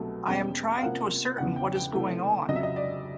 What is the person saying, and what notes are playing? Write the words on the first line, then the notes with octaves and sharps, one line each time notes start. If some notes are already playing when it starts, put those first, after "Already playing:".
I am trying to ascertain what is going on.
Already playing: C2 B2 F#3 A3
E2 B2 G#3 C#4 G5
F5
C3 F3 A#3 C#4 F#5
E2 C#3 E3 F#5
G5
G5
C3 E3 A3
F2 C#3 F#3 D#5
E5
D#5
D5